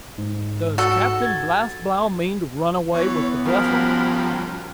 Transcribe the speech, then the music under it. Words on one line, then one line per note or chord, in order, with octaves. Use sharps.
"Does Captain Blastblow mean to run away with the vessel?"
G#2
F#4 A4
G#6 A6
E3 B3 C#5
F#2 F3 G3 A#4 C5 B5